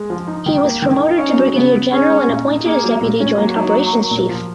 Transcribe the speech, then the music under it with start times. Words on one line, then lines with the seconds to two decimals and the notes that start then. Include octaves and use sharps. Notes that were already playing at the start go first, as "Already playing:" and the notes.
He was Promoted to Brigadier General and appointed as Deputy Joint Operations Chief.
Already playing: G#3
0.10 F3
0.27 D#4
0.46 D#3
0.65 A#3
0.82 D#3
1.00 D#4
1.18 C#4 D#4
1.38 F#3
1.55 C#3 B3
1.73 B3
1.92 C#4 G#4
2.10 G#3
2.28 A#2
2.47 D#4
2.65 A#3 G#4
2.84 F#3
3.01 A#2
3.20 C#4
3.37 F#3 A#3
3.56 D#4
3.74 A#3
3.93 A#4
4.11 A#2
4.29 F3